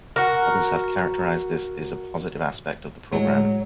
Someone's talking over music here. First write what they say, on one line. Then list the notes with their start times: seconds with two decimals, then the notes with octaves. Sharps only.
Others have characterized this is a positive aspect of the program.
0.16 F#4 A#4
3.12 A2 F#3 G#3